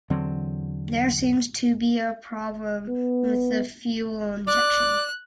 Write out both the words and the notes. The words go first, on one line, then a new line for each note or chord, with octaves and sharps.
There seems to be a problem with the fuel injection.
E2 D3 F#3 C4
B3
D5 F#6